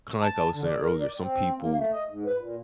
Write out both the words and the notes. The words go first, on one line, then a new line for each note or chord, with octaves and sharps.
kinda like I was saying earlier, some people
A5
D3
D5
A#4
D5
C4
A#3
A3
D#5
G#2
B4
A#2